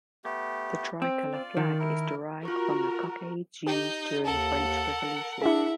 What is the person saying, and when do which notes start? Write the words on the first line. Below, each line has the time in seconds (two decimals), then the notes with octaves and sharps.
The tricolour flag is derived from the cockades used during the French Revolution.
0.24 A3 B3 G4
1.02 C4
1.33 F4 D5
1.57 D#3
1.79 E4 A#4
2.45 F4 F#4 A#4 C#6
3.67 D#4 G4 G6
4.25 D#2 A4 A#4 F#5
5.41 D4 E4 G#4 E5